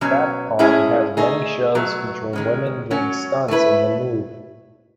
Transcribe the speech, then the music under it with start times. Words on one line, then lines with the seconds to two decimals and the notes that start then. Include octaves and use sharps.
Patpong has many shows featuring women doing stunts in the nude.
0.01 B2 F#3 C#4
0.59 A2 G#3 C#4 E4 G#4
1.17 A3 D#4 G#4
1.75 B2 F#3 A3
2.33 D#3 G#3 C#4
2.91 F#3 C#4 F#4
3.48 A3 E4 B4